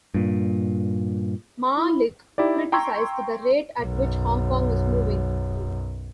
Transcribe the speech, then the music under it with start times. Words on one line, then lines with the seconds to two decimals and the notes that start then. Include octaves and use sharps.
Ma Lik criticised the rate at which Hong Kong is moving.
0.14 G2 A#2
1.77 E4
2.38 D#4 E4 G4 D5
2.72 G5 A#5 C6 C#6 E6 G#6
3.80 B1 F#2